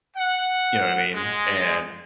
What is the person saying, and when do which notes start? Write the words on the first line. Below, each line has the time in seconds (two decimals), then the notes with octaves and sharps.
you know what I mean, and
0.17 F#5
1.14 G#3